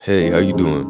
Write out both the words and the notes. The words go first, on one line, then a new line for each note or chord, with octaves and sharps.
Hey, how you doing?
D#3 A3 C4
F#2 D#3 G#3